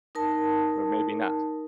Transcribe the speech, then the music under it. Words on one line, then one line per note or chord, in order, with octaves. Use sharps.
but maybe not.
D#4 A#4 A5